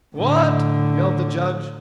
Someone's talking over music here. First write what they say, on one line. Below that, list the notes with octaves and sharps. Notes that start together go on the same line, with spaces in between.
"What!" yelled the Judge.
A2 D3